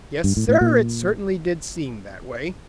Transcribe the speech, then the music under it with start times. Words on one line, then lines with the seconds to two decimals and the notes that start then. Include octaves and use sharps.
Yes, Sir, it certainly did seem that way.
0.24 G2
0.37 A2
0.48 A2
0.61 A#2